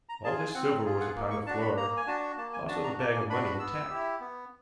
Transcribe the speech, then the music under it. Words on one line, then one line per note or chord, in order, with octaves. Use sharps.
All this silver was upon the floor, also the bag of money intact.
A#5
F4 G#4 A5
G#5
C4 F#5
F4 G#4
F#5
A#3
C#6
D4 F#4 A5
B5
A#3 A#5
G#5
D4 F#4 A5
A#3 A5
G#5
D4 F#4 A5
A#5
A#3 A5
G#5
D4 F#4 B5
B5
B3 E6
E4 G4
B3